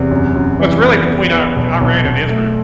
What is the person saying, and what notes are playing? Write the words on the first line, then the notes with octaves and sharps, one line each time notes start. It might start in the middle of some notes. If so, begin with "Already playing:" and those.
So it's really between Ir Iran and Israel.
Already playing: E2 C3
F#2
F#2
E3
B3
B3
B3
B1
B1
B1
A3